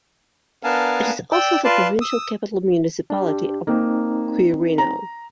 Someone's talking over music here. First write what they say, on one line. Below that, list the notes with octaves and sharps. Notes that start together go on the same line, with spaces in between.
It is also the provincial capital municipality of Quirino.
B3 D4 A#4 F5 G#5 A5
D5 G5 E6
F4 B4 D5 A5 C6
D#6 E6
D4 G4
A#3 C4 D#4
A#5